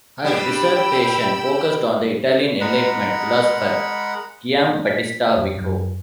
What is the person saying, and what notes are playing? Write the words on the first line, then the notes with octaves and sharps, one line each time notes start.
Her dissertation focused on the Italian enlightenment philosopher Giambattista Vico.
G3 D4 G4 G5 B5 E6
G#3 A#4 F#5 B5
B6
F2
F#2